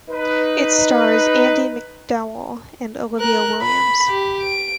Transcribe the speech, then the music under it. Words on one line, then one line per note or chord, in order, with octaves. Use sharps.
It stars Andie MacDowell and Olivia Williams.
D#4 B4
A#4 F#6
B5
G4
D7